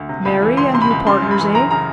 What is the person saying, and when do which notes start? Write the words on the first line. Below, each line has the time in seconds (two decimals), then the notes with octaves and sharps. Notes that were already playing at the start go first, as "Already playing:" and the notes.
Mary and you partners--eh?
Already playing: D2
0.09 C3
0.25 C#2 B5
0.42 E3
0.57 C#2 C6
0.74 C3 C6
0.82 B5
0.90 C#2
1.06 C#3 C6
1.22 F#2
1.31 B5
1.39 E3
1.55 F#2 A#5
1.71 C#3 A#5